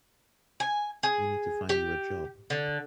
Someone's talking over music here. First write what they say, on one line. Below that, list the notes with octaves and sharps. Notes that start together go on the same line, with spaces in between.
We need to find you a job.
G#5
G#4
G4
D3